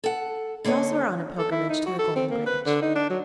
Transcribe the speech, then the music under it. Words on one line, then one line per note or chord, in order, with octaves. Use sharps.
'We also are on a pilgrimage to the Golden Branch.'
A4 F#5
D3 A#3 A4 C#5 D#5
A4
E4
D#4
F#4
A4
C4
A#3
B4
D3
D#4
D4
F#3